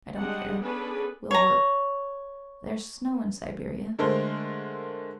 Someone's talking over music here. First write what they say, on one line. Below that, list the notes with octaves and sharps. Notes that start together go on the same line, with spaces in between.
I don't care ... we'll work ... there's snow in Siberia....
G3 G#3 D4 D#5 F#5
B3 C#4 D4 G#4 A4 B4
C#5 A#5
D3 G#3 A3 A4 A#4 C5